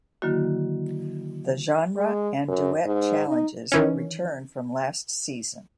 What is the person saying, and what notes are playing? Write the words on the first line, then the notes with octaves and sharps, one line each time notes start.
The Genre and Duet Challenges return from last season.
D3 D#3 F#3 A#3 E4 F#4
G#3
F#2
G#2
D#4
D#3 E3 C#4